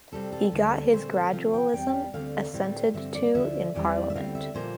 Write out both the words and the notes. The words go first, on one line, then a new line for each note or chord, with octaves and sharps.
He got his gradualism assented to in Parliament.
C3 G3 C4 A4
A4
D2 D3 G3
A#2 A3 C4 C5
C3 F3 C4 F5
G5
E2 E3 G3 C4 G5
F5
D2 D3 A3 C4 F5
A2 G3 C4
G2 D3 F3 C4 E5
D5
D2 D3 F3 E5
E2 E3 G3 C4 D5
E5
D2 D3 G3 C4 F5
E5
A#2 F3 A#3 C5